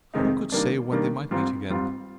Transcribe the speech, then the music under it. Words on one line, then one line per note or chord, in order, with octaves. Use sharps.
Who could say when they might meet again?
F2 C3 D#3 G#3 D#4
D#3 G3 A#3 D4
D#3 G3 A#3 D4
G#2 G3 C4 F4
G#2 G3 C4 F4